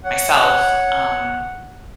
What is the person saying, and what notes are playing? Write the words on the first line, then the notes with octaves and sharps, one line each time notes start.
myself, um,
C#5 F#5